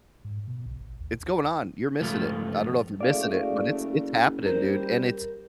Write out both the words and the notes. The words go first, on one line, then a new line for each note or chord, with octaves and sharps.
It's going on. You're missing it. I don't know if you're missing it, but it's it's happening, dude, and it's
G#2
B2
B1
A1
D#2
C#2 G2 F3 A3 F4
F#1 A3 F#4 G#4 D5 F5
G3 A#4 C5